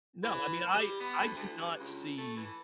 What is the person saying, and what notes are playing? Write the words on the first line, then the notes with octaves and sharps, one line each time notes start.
No, I mean, I I do not see
E3
G3
B3
D2
D2
G2
C#2
A3
E3